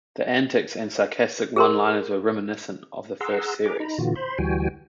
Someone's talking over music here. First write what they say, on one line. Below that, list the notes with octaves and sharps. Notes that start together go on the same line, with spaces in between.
The antics and sarcastic one-liners were reminiscent of the first series.
G#4 A#4 C6
G#4 F#5 A#5 C6 E6
G#4 B4 A#5 D6
D#4 A#5 B5
A#2 D3 E3 F4 F#4
C5 B5 C6
D2 E3 G3 F#4 G5 G#5